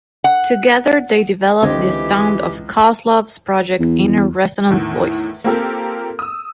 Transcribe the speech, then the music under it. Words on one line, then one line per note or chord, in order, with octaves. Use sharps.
Together they developed the sound of Kozlov's project Inner Resonance Voice.
F#5
C#2 D3 E3 C4 G4 D#5 G#6
E2
E2 A2 D#3
A#3 C4 F4 G4 A4 A#4
D#6 E6